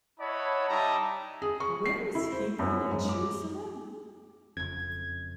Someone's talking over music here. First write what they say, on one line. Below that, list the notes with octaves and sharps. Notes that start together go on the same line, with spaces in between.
Where is Hebron and Jerusalem?
E4 C#5 D#5 F#5 A5 B5
G3 D#4 D5 E5 A5 A#5
G#4
C#6
C7
E4
C5
F#2
G#2
D6
F#1 F2 G#6